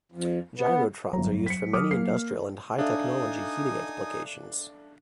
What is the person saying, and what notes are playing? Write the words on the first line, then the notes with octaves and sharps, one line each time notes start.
Gyrotrons are used for many industrial and high-technology heating applications.
F2
B3
G1 F#3 A#5
B6 C#7
F#3 D6 D#6 F6
A#3 C7
D4 D#4 A4 E5 F5 G#5 D#6